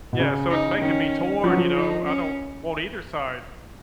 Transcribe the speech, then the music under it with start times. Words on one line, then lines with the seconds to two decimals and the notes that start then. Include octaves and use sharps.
Yeah, so it's making me torn, you know? I don't want either side
0.13 B2
0.20 C#3
0.51 D#4
0.81 D#3 C#4
1.43 F3 C#4
1.50 F#3
1.57 F3
1.74 D#4
2.05 C#4